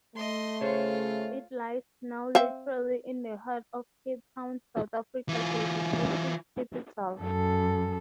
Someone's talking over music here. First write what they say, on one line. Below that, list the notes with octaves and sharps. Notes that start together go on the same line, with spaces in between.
It lies now literally in the heart of Cape Town, South Africa's Legislative Capital.
A3 D#5 C6
C#3 F4 A4 C5 C#5
C4 E5 F5
E3 F4
F#2 A4